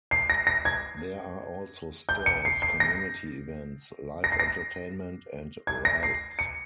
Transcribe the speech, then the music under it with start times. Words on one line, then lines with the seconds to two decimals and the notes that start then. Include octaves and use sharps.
There are also stalls, community events, live entertainment, and rides.
0.11 C7
0.30 A#6
0.47 A#6
0.65 G#6
2.09 G6
2.26 C#7
2.45 C7
2.62 C7
2.80 A#6
4.24 A#6
4.32 C7
4.39 A#6
5.67 G#6
5.85 A#6
6.03 C7
6.39 C#7